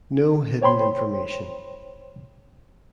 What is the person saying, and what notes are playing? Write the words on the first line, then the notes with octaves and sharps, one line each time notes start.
No hidden information.
C5 C#5 G5 B5 C6